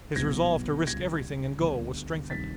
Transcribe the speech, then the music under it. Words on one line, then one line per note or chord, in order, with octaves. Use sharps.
His resolve to risk everything and go was strengthened.
B1 A#2 G3 B3 G#6 A#6
C#2 B2 G3 G#6 A#6
D2 D3 G3 B3
D2 C3 D#3 G3 A6 B6